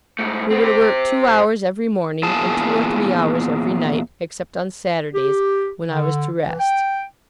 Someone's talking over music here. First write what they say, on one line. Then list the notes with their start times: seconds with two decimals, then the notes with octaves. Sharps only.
We were to work two hours every morning, and two or three hours every night, except on Saturdays, when I was to rest.
0.19 G#2 A3
0.50 B3 C4
0.63 G4 C5
2.23 E2 A#2 G#4 A5
5.14 G4
5.90 D3
6.45 E3
6.59 G5